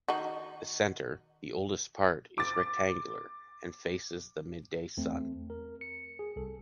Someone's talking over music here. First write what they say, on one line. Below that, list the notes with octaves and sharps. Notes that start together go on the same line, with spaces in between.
The center, the oldest part, is rectangular and faces the midday sun.
D#3 D#4 F#4
D6 A6
E2 A3 C4
A#4
C#7
G#4
C2 A4